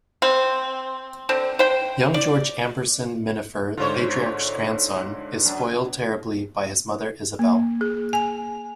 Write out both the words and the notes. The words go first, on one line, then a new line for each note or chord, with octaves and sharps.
Young George Amberson Minafer, the patriarch's grandson, is spoiled terribly by his mother Isabel.
C4
D3 C4
C5 G5
D5
G#2 D3 F4 C5 C#5
F#2 D4
A#3
G#4
G#5